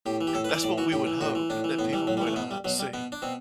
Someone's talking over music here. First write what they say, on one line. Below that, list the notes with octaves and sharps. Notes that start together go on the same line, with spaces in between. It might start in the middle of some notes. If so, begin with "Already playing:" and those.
That's what we would hope that people would, uh, see
A2 G4
E3
G4
A2 A4
B4
E3 D5
A2 D5
E3 F#4
A2 G4
E3
A2 F#4
E3
A2 D4
E3
A2 B3
E3 G3
A2 F#3
G3
E3
A3
B2 B3
G3
B2 F#3
G3
B2 B3
D4
B2 C4